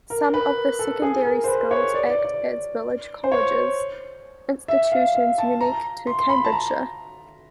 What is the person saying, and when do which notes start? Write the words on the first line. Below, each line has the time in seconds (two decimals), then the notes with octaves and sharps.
Some of the secondary schools act as Village Colleges, institutions unique to Cambridgeshire.
0.10 A#4
0.34 B4
0.79 A4
1.02 G#4
1.25 A#4
1.44 C5
1.47 B4
1.71 C#5
1.94 D5
2.10 D5
2.25 D5
3.24 C5
3.32 C#5
4.68 E5
4.92 F5
5.15 F5
5.38 A5
5.61 A#5
6.07 C6
6.19 C6
6.30 B5
6.45 A5
6.52 A#5